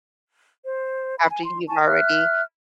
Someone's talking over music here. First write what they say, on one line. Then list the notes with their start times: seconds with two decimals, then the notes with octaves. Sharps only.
After you've already
0.63 C5
1.18 B5
1.30 G#5
1.45 C6
1.68 G#5 A5 C#6
1.86 E5 F6 F#6